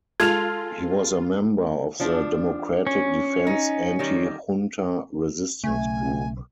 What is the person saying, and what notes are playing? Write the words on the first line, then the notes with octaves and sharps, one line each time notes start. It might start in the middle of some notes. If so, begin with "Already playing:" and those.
He was a member of the Democratic Defense anti-junta resistance group.
G#3 F4 A4 F6 G#6 F7
F3 D4
C#4
D#4
D#3 G3
B1 C#3 A3 G#5